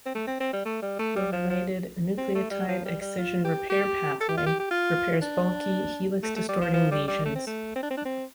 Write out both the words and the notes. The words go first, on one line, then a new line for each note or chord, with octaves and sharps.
The related nucleotide excision repair pathway repairs bulky helix-distorting lesions.
C4
A3
C4
C4
G3
A3
G3
A3
G3
F3
F3
C4
A3
G3
F3
G3
G3
F4
G4
G4
A4
G4
F4
G4
G4
F4
D4
A3
A3
G3
F3
F3
G3
G3
A3
C4
A3
C4
D4
C4
D4
C4